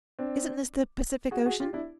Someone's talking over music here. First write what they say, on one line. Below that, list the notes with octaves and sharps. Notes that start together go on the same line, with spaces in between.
"Isn't this the Pacific Ocean?"
C4 D4
F#4 G#4
F#4 G#4
F4 G4
D4 E4